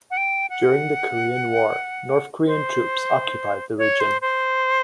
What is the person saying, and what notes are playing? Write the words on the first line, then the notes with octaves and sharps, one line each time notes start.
During the Korean War, North Korean troops occupied the region.
F#5
G5
F#5
C5
C#5
C5
C5